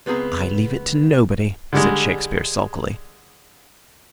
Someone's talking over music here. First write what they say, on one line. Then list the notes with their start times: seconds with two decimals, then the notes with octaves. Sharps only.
"I leave it to nobody," said Shakespeare, sulkily.
0.06 C#2 B3 C4 G#4 A#5
1.73 D3 G3 G#3